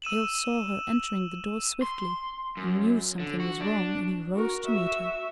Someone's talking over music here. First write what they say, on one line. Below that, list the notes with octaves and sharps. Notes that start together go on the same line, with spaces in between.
Hale saw her entering the door swiftly, he knew something was wrong and he rose to meet her.
E6 D#7 E7 F#7
C6
F#2
D3
F#4
D4
F#4 A#4
F#4 E5